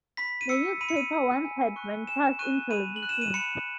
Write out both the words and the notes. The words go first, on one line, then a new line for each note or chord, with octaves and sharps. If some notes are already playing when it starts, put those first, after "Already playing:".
The newspaper once had ventures in television.
B5 B6
D#7
E6 C#7
B5 D#7
C#7
D#7
E6
G#5
C#6 F#6
G#5 E7
C#6 F#6 D#7
B5 D#7
F#7
F#6
E7
D#7
B5 C#7